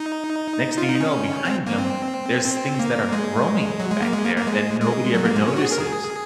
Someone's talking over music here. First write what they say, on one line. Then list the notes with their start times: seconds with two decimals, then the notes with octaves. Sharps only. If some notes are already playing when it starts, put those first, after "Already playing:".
Next thing you know, behind them, there's things that are growing back there that nobody ever notices.
Already playing: D#4
0.78 F4
0.89 D#4
1.00 C#4
1.45 C4
1.67 A#3
1.78 C4
2.45 C4
2.79 A#3
3.12 G#3
3.80 F#3
3.91 G#3
4.02 A#3
4.13 G#3
4.25 A#3
4.36 A#3
4.47 G#3
4.81 G#3
5.14 F#3
5.25 A#3
5.36 G#3
5.48 C#4
5.56 F#4
5.65 G#4
5.72 A#4
5.80 G#4